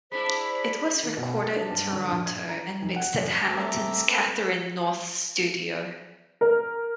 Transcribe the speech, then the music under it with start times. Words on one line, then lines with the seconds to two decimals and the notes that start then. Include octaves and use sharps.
It was recorded in Toronto and mixed at Hamilton's Catherine North Studio.
0.12 G#3 D4 E4 C5 B5 B6
1.03 D#3
1.17 B2
1.43 A6
1.56 D4
1.70 G2
1.92 D3
2.11 A#1
2.26 G#6
2.49 A#5
2.82 F1
2.96 F#5
3.17 F#2
3.48 A3 C4 E5 A#5 D6 E6
4.10 A#3 C4 A4 B4
6.41 A#4